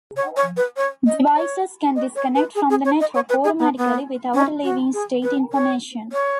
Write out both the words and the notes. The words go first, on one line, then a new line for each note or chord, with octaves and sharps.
Devices can disconnect from the network automatically without leaving state information.
C#5
C#5
B4
C#5
D#5
C#5
D#5
C#5
B4
G#4
G#4
C#5
D#5
C#5
B4
G#4
B3
B3
C#4
F#4
G#4
B4
C#5
C#5